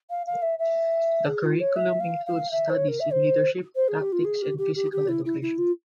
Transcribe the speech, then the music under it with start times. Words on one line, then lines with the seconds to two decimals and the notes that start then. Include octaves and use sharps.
The curriculum includes studies in leadership, tactics and physical education.
0.10 F5
0.27 F5
0.42 E5
0.59 E5
1.26 G#4
1.43 F4
1.60 C#5
1.76 E5
2.00 F5
2.26 F5
2.51 E5
2.70 C5
2.75 C#5
2.88 A#4
3.00 E5
3.12 C5
3.76 C5
3.88 G#4
4.01 G4
4.12 F4
4.25 G#4
4.42 G4
4.58 G4
4.76 G4
4.92 G4
5.09 E4
5.25 E4
5.42 E4
5.58 F4